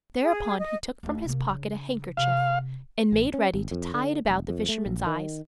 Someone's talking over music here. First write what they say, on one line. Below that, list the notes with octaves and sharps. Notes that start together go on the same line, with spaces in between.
Thereupon he took from his pocket a handkerchief, and made ready to tie it about the fisherman's eyes.
G#4
D#5
D#2 A3
C3 A#3
C#3 D4
C3 F5
A1
C#4
G#1
F2
D3
F1
F2
A3
A#1
D#3